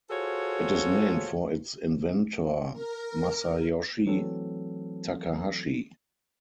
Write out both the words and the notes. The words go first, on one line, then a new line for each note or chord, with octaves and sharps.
It is named for its inventor, Masayoshi Takahashi.
F4 F#4 G#4 A4 C5 C#5
A#4
E3 F#3 A3 C4 A4